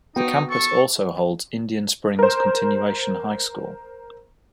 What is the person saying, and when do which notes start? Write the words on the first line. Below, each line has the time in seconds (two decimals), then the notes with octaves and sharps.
The campus also holds Indian Springs Continuation High School.
0.16 B3 D#4 F#4 G5
0.50 A4 C#6
2.19 A#4 C5